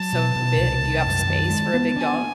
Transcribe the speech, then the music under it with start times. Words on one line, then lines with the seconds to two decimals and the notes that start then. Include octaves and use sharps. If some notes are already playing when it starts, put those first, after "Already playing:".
so big? Do you have space for a big dog?
Already playing: F#3 A5
0.13 B2
0.36 B2
0.58 C2
0.82 C2
1.05 F#2
1.28 D#3
1.50 G#3
1.74 B3
1.96 D4 G#5